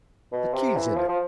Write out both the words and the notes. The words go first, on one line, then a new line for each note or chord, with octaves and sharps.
"The key's in it."
B2
C3
E3
F3
F3